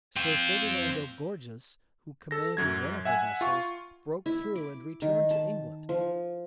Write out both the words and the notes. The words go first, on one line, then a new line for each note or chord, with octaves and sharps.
Sir Ferdinando Gorges, who commanded one of the vessels, broke through and returned to England.
C4 F4
A4 A#6
F#2 F#3 G#6
E5 F#5 G#5
F4 C#6
E4
D6
D#3
A5
F3